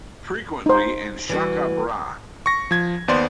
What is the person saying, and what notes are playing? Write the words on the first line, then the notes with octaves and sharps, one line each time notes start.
Frequently in 'shaka brah'.
D#4 C5
E3 G3 F#4
C#6 A#6
F3 G#6
D#2 B3 C5 D5 C6